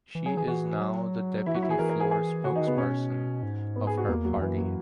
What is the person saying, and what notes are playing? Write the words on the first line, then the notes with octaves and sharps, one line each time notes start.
She is now the deputy floor spokesperson of her party.
E3
F#3 G#4
E3 G#4
E3 F#4
F#3
E3 E4
F#3 F#4
E4
E3 G#4
E3 A#4
A#4
G#4
G#4
C#3 F#4
E3 D#4
D#3
C#3 B3
B2 C#4
G#2
B3
G#4
F#4
E2 A#3
F#3
E2
F#2 E3
F#3